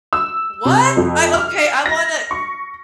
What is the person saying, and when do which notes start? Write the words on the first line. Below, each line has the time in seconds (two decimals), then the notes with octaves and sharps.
What? I okay, I wanna
0.13 E6
0.65 C3
0.97 F2
1.33 F6
1.86 A#6
2.31 C#6